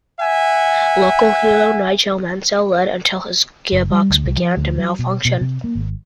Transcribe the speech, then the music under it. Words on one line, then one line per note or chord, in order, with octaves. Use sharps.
Local hero Nigel Mansell led until his gearbox began to malfunction.
E5 F#5 G#5
F#1
G3
D2
C2
F3
D2
F#3
B2
B2
C3
A#3
G#1